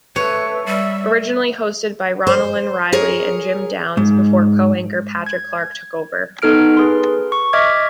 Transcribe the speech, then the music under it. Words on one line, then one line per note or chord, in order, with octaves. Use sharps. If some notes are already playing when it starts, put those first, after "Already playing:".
Originally hosted by Ronilyn Reilly and Jim Downs before co-anchor Patrick Clark took over.
A3 B4 C#5
G3 E5
C5
G#4 A#4 C#5
G#2
G#6
B3 D#4 A4 F6 D7
G#4 B4 C6
C#6
D#5 E5 D6 F6 G#6